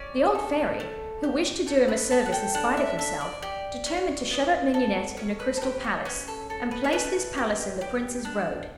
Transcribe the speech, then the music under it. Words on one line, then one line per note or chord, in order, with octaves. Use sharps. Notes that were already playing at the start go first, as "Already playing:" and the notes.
The old fairy, who wished to do him a service in spite of himself, determined to shut up Mignonetta in a crystal palace, and place this palace in the Prince's road.
Already playing: C#4 G4 D5
A4
A3
G4
A3 C#5
B4
A4 A5
F#5
G5
D4 F#5
E5
A4 E5
D5
G4 D5
C#4
B3
A4
C#4 C#5
B4
A4
G4 B4
C#5
C#4 B4
A4
A4
B4
C#5
A3 B4
G4
G4
D4